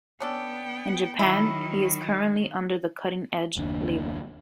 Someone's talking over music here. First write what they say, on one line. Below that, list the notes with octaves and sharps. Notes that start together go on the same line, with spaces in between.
In Japan, he is currently under the Cutting Edge label.
B3 C#4 D4 A4 G5
D#3 F#3 E4
F#1 D#2 D4